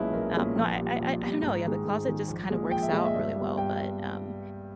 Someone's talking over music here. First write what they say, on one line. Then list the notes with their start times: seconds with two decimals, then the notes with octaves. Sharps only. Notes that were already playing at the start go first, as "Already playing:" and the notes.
um No, I I I don't know, yeah, the closet just kinda works out really well, but, um,
Already playing: B1 A#2 G#3 C#4 E4 B4
0.13 B1 A#4
0.34 A#2 G#3 C#4 E4
0.56 A#1
0.78 A#2 G3
0.99 A#1
1.21 A#2 G3
1.42 G#2
1.64 D#3 G#3
1.85 G#2
2.07 D#3 G#3
2.28 A#1
2.50 A#2 G#3
2.71 A#1 G5
2.82 E5
2.93 A#2 G#3 D#5
3.05 E5
3.15 G2
3.36 G3 B3
3.58 G2 G5